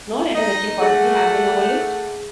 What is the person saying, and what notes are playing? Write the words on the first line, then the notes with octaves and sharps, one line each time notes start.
No letter that can possibly have been overlooked?
D#4 D#5
A3 G#4 F#5